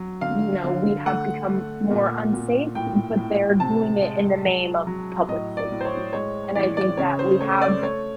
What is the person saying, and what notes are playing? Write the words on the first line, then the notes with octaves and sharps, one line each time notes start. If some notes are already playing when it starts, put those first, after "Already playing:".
you know, we have become more unsafe, but they're doing it in the name of public safety. And I think that we have
Already playing: F#3
D3 F5
D3
A3 F#5
A3
A#2
A#2
A2 G5
A2
C3 A5
G#3
F#3
F#3
A2 D#5
D5
A2
C5
C#5
G#3 C#5
E3 D5
D5
C#3 C#5
C5
A3 C#5
D5
A3 C#5